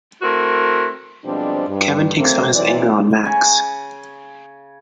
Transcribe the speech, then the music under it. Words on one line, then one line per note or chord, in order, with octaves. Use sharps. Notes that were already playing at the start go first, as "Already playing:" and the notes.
Kevin takes out his anger on Max.
A3 C4 E4 F#4 A#4
B2 F3 G3 G#3 C4 D4
G2
F#2 A3 A#3 C4
E3 F#3 G#3 C4 D5
C#3 G#5